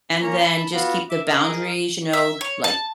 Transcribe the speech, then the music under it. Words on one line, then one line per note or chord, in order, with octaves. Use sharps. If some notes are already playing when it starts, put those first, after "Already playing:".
And then, just keep the boundaries, you know, like,
A#3 C#4 C#5 A#5
A5 B5
B3 F4 F#4
E5 D6
G#4 A#4 D#5
E5
C#5
A5